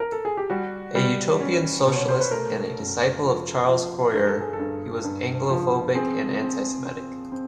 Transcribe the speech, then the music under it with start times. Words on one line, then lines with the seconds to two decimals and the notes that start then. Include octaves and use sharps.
A utopian socialist and a disciple of Charles Fourier, he was anglophobic and anti-semitic.
0.00 A#4
0.12 A4
0.25 G#4
0.37 G4
0.50 G3 F#4
0.95 G3
1.40 C#4
1.87 B2
1.95 C#5
2.08 C5
2.20 B4
2.31 A3 A#4
2.78 F#2
3.23 F3
3.68 F3
4.13 G2 A#4
4.27 A4
4.40 G#4
4.53 A4
4.59 G2
5.04 G2
5.50 F3
5.95 C4 G#4
6.41 C4
6.86 C4
7.32 C4